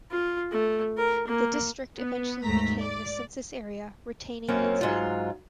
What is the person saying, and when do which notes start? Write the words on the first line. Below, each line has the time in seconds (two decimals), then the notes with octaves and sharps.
The district eventually became the census area, retaining its name.
0.11 F4
0.51 A3
0.97 A#4
1.27 A#3
1.98 B3
2.43 D#2 G#2 A3 A#5 B6
2.78 D5
4.48 F#2 A#3 C4 C#4
4.81 G#2 F#3 F4